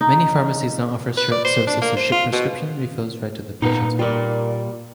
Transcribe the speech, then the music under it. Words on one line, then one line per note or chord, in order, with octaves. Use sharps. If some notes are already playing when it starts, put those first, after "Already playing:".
Many pharmacies now offer services to ship prescription refills right to the patient's home.
D#4
B4
D5
C5
D4
A#3
C5
F4
B2
F2 A#2 B3 D#4 F4 B4 A#5
G3 F4 A#4 D5